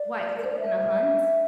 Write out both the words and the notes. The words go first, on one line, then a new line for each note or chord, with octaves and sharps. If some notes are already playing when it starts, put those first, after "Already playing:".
Why, 'cause it's gonna hunt?
Already playing: D5
A#4
C5
D5
E5